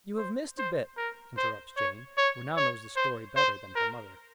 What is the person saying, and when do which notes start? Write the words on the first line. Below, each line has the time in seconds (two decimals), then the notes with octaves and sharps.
"You have missed a bit," interrupts Jane, who now knows the story better than her mother.
0.18 C5
0.58 C5
0.97 A#4
1.37 C5
1.77 C#5
2.17 C#5
2.57 C#5
2.96 C5
3.36 C5
3.76 A#4